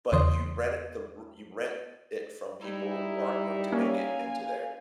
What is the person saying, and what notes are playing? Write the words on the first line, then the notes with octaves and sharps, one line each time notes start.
but you rent it the r you rent it from people who aren't going to make it into their
E2 C#3 E3 C6 D#6
G3 D#4 E4
A#3 C#4 F5 G#5